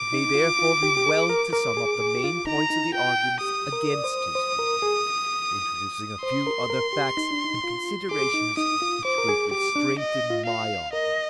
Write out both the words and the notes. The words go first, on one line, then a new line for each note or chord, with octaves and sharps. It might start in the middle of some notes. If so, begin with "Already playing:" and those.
It may therefore be well to sum up the main points of the arguments against his view, introducing a few other facts and considerations which greatly strengthen my argument.
Already playing: D6
D#4
F4
F4
G4
G4
G#4
A#4
A#4 D6
G#4
G#4
G4
F4
D#4 A#5
D#4
F4 G5
G4 D#6
A#4
D5
C5
C5
A#4
G#4
C5 C6
A#4
A#4
G4
D#4
D4
D#4
F4
G#4 D6
D#4
D#4 D#6
F4
C5 D6
A#4
G#4
G4 D6
D4
D#5
F4
F5
A#4 D#5